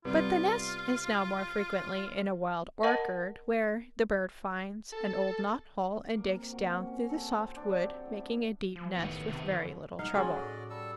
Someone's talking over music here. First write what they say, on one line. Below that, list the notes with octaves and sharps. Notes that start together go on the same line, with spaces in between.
But the nest is now more frequently in a wild orchard, where the bird finds an old knot-hole and digs down through the soft wood, making a deep nest with very little trouble.
C3 G3 B3 F4
A#4 D#5 F#5 A5
A4
A#3
C3
F#4
C#4
A4
C4
D4
G4
F#3
A2
E4
F3
A1 D#3 B3
C3
D3
D#4 F5 F#5
F#3 C#4 F#4 G#4 D5 D#5 A5 C6
A2
G3 A4 E6